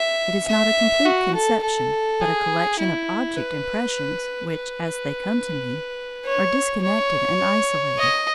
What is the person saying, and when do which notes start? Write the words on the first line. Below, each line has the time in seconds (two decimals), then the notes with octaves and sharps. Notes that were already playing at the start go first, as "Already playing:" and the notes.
It is not a complete conception, but a collection of object-impressions which, as they come to me, are disconnected and isolated.
Already playing: E5
0.48 E5
1.05 F#4
1.35 A4
1.63 A4
2.22 G#4
2.79 E4
3.37 B4
4.52 B4
6.26 C#5
6.83 C#5
7.99 D#5